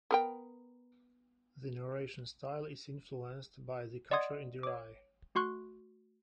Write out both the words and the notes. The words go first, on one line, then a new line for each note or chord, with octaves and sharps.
The narration style is influenced by The Catcher in the Rye.
B3 A#4 G5
D5 D#5 F#5 C6 D#6 G#6
C#5 D6
A3 F#4 C6 C#6 F#6